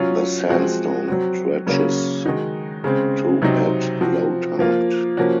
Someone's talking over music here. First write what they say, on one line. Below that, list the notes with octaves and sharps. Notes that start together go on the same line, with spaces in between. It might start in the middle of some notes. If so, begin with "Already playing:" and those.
The sandstone stretches to at low tide.
Already playing: F#3 C#4 F4
F3 G#3 C4 F#4
F#3 C4 F#4
C#3 F#3 A#3 C#4
D#3 G#3 D#4 F#4
C#3 G#3 C4
C3 F#3 C4 D#4
F3 C4 F#4
F3 A#3 F4
F3 A#3 C#4 F#4